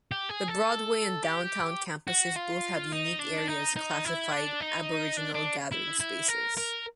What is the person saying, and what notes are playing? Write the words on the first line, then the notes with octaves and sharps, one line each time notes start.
The Broadway and Downtown campuses both have unique areas classified Aboriginal Gathering Spaces.
G4
G#4
A4
G4
F#4
F4
D#4
D4
D#4
D#4
E4
D4
D#4
D4
D4
E4
E4
A#4
A#4